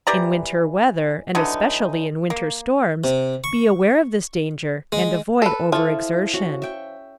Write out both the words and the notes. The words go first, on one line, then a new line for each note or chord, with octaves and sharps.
In winter weather, and especially in winter storms, be aware of this danger, and avoid overexertion.
E3 G4 D5 A#5
D3 E3 F#3 D#4
A#3
C3
C#6
G#3
A4 B4
F3 E4 A4
C#4 F#4
E5 G5 C#6